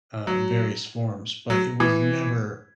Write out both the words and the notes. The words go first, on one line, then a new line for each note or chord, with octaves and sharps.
uh, in various forms, but it was never
F#3
F#3
E3